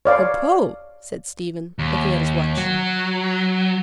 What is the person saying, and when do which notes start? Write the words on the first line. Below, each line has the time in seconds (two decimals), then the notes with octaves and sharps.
"Apropos!" said Stephen, looking at his watch.
0.05 C#5 D5 F5
1.79 D#2
2.57 F#3